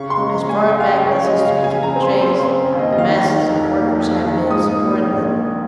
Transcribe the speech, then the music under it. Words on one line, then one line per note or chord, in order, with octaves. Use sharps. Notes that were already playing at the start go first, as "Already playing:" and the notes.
As far back as history can be traced, the masses of workers have been subordinate.
Already playing: C#3 C#6
C6
G#3
A#5
G#3
G#5
C#2 G5
F5
G5
C#3
C#5
C#3
D#5
C#3 F5
G#5
C#3
A#5
C4
C6
C#3 C6
C6
C4
D#2
D#5
D#5
D#3 F5
D#3
F1
A#3
F1
D#3
G#2 D#6
A#3
A#1
A#3